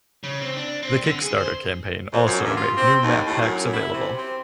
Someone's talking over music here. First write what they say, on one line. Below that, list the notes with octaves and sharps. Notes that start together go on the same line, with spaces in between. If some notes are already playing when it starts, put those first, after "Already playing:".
The Kickstarter campaign also made new map packs available.
C#3
C4
D4
C4
D3
G#4
C5
F2
F#2
G2
F4
C4
D#2
A2
F#2
E4
C3
C4